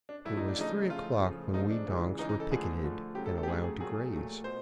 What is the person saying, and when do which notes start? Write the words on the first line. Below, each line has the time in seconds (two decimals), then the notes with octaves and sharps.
It was three o'clock when we donks were picketed and allowed to graze.
0.09 D4
0.25 A2 F#3 A3 E4
0.37 D#4
0.48 D4
0.57 C#3 F3 A3 D#4
0.90 C#3 F3 A3 F4
1.22 C#3 F3 A3
1.54 C#3 F3 A3 D#4
1.71 D4
1.87 C#3 E3 G#3
2.18 C#3 E3 G#3 D#4
2.29 D#4
2.40 A4
2.50 D3 F3 A3 G#4
2.83 D3 F3 A3
3.15 C#3 F#3 A3 G4
3.26 A4
3.38 A4
3.43 G4
3.47 C#3 F#3 A3 G#4
3.63 G#4
3.80 A#2 F#3 A3 G#4
4.13 A#2 F#3 A3
4.44 B2 C5